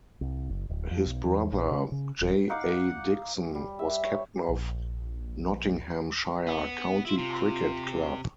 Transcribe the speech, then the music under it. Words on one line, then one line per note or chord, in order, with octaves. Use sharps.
His brother, J A Dixon, was captain of Nottinghamshire County Cricket Club.
C2
F#1
D1
F2
B1
E2
A#1
C#3
C#3
D#1
D#4 F5 F#5 D6
G3
E5
C#5
A#1
B3
E4 F4
C3